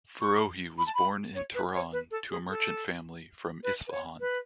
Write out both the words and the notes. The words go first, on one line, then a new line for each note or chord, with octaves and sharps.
Foroughi was born in Tehran to a merchant family from Isfahan.
C#6
B5
A5
B5
C#5
B4
C#5
B4
A4
G#4
A4
B4
B4
C#5
B4